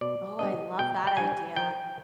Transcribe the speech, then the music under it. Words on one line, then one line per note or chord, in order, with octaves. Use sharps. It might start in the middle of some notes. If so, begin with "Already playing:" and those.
Oh, I love that idea.
B2 D5
G3 B3 D4 D#5
B2 G5
G5
G3 D4 G#5
F3 G5